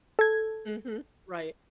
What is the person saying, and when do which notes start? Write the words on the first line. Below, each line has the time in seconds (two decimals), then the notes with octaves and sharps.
Mhm, right.
0.19 A4 G#6